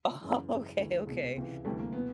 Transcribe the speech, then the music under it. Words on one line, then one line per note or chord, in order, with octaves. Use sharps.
Oh, okay, okay,
F#2 C#3 E3
F#2 C#3 E3
D2 C#3 E3
C2 B2 G#3
C#2 C3 E3
D2 C3 E3 G3 A3
A#3
B2 B3